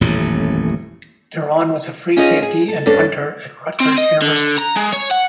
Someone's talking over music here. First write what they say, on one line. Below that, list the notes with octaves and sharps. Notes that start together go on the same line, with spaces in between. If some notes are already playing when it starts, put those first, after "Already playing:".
Deron was a free safety and punter at Rutgers University.
D#1 A1 F2 A2
C#4 D#4 F4 G#4 D#5
G#4
A4
G2 C#4 D4 A4
C4
D#5
D3
A#5
G#3
C#5
F#5